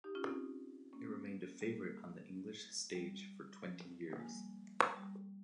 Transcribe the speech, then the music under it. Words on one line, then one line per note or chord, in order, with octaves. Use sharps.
It remained a favourite on the English stage for twenty years.
D#4 G4
C#4 F4
C4 D#4
A#3 C#4
G3 A#3
G3
F3
A#3
G#3
G3
G3